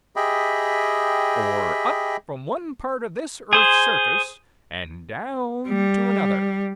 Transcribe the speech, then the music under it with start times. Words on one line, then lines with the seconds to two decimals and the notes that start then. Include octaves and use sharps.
Or up from one part of this earth's surface and down to another.
0.16 G4 G#4 D#5 E5 G5 B5
3.53 G#4 C5
5.67 G3